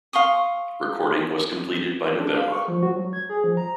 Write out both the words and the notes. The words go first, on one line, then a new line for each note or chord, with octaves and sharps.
Recording was completed by November.
F5 C6 C#6 D#6
D4
F5
C#6
F3
F#4
F#3
G#6
G#4
F3
A#5